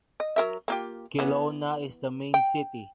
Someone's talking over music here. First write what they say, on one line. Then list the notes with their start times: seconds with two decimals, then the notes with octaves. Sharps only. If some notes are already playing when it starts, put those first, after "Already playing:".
Kelowna is the main city.
0.20 D#5
0.36 F#3 A#4 E5
0.68 A#3 F4 G4
1.19 E3 B3
2.34 G5